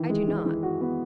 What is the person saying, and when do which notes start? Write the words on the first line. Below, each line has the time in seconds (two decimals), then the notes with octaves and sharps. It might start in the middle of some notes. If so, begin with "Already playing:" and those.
"I do not."
Already playing: D#3 E3
0.10 G#3
0.28 E3
0.46 E3
0.63 F#4
0.81 B3